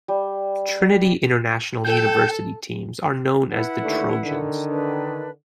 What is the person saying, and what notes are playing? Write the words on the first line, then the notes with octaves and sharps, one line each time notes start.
Trinity International University teams are known as the Trojans.
G3
A4 G5
E4 B4 F#5
D#2 D3 A3
D3 D#3
D4 B4